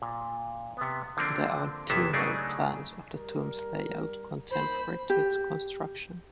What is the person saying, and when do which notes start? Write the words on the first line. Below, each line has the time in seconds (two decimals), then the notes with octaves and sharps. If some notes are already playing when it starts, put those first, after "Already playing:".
There are two known plans of the tomb's layout contemporary to its construction.
0.02 A#2
0.77 C3 B3
1.17 D3 F3 A#3 C4 D4
1.90 G1 C3 E3 A#3 B3 E5
2.13 C#3 F#3 A3 D4 D#4 G#4
3.14 G3 A#4
4.51 A#2 D#3 C5 B5
5.10 G4